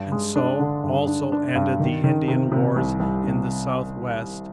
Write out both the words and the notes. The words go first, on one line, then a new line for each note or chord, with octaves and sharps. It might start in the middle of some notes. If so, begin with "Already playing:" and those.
And so, also, ended the Indian Wars in the Southwest.
Already playing: G2
G#3
D4
D3
G2
D4
D4
G2
D#3
D#3
C3
C3
C2
C2
C3